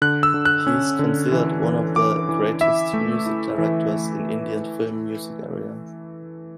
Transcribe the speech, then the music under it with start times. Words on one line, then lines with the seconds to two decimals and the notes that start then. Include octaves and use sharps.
He is considered one of the greatest music directors in Indian film music arena.
0.02 D3 F#6
0.23 E6
0.34 D3
0.45 F#6
0.67 C#4
0.99 D3
1.32 E3
1.64 E3
1.96 E3 D6
2.29 E3
2.61 E4 E5
2.94 A3
3.26 E4
3.58 E3